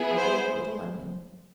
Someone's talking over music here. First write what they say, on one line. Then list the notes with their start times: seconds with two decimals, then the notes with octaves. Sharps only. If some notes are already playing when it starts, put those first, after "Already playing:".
I gave a little onion.
Already playing: B3 E4 G#4
0.16 C5